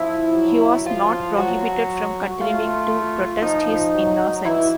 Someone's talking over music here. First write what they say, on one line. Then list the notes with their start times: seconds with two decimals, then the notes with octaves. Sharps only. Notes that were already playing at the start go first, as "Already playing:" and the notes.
He was not prohibited from continuing to protest his innocence.
Already playing: F3 E4
0.34 F#3
0.86 F3 F4
1.37 F#3 F#4
2.39 A3 F4
3.42 F3 D#4
3.95 F#3
4.45 E3 E4